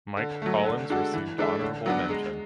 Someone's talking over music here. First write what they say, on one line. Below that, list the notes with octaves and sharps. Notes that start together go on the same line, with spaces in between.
Mike Collins received honorable mention.
D3
F#3 A3
D3
G#3 D4 F#4 A4
E3
G#3 D4 A4 E5
D3
F#3 B3 D4
G#3